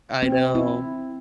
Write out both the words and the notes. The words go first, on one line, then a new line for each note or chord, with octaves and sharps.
I know.
C4
E4